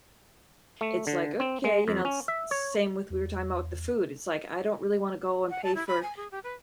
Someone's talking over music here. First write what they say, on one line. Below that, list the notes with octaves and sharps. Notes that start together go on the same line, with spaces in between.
it's like, "Okay," you know, s same with we were talking about with the food, it's like, I don't really wanna go and pay for,
A3
D3
C4
G#3
F2
C#4
E5
C#5
E2
F#5
A5
E4
B5
G#5
G#4
G4
B4